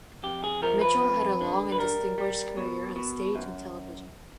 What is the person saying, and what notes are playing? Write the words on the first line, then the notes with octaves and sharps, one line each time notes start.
Mitchell had a long and distinguished career on stage and television.
F2 G4
G#4
F3 A#4
B4
F2
D3
B4
G3 A#4
G3
B2
B2
F#2